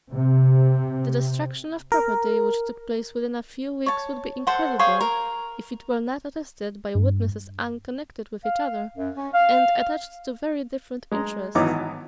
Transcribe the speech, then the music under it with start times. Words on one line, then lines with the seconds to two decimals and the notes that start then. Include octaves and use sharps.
The destruction of property which took place within a few weeks would be incredible, if it were not attested by witnesses unconnected with each other and attached to very different interests.
0.13 C3
1.92 A#4
3.86 C#5 A5
4.47 A4 C5 F#5
4.79 G#4 C5 C#5 F5
5.01 A#4
6.95 G2
8.45 F5
8.97 F#2
9.16 C#4
9.34 F5
11.12 G#3 A#5
11.55 G#1 E3 F#3 B3 D#4 D6